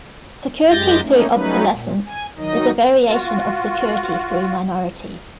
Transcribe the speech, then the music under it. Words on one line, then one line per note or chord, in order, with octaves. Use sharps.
Security through obsolescence is a variation of security through minority.
F#2 G#3 G4 G6 A6 A#6
A3 A#3 C#4 D#4
F#3 G3 A3 C#4 D#4 B4
A#2
G#5
D#3 F#3 D#4 D#5
F4 F#4